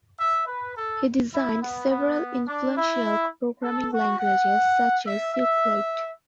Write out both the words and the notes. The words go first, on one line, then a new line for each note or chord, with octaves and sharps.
He designed several influential programming languages such as Euclid.
E5
B4
A4
E4
B3
B3
D4
E4
A4
F#4
F#5
E5
E5